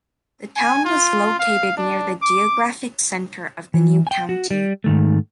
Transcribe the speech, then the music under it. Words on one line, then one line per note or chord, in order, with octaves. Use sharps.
The town was located near the geographic center of the new county.
G#5
F4
F5
D4
D6
E3
G5 G#5
F#4
G3
G#2 D#3 A3